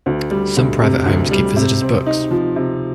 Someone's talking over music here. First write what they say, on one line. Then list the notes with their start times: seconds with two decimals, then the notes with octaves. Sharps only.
Some private homes keep visitors' books.
0.06 D2
0.31 G3
0.57 D2
0.81 C3
1.06 D2
1.31 G3
1.56 C3
1.81 C4
2.06 D#4
2.31 F3
2.56 C3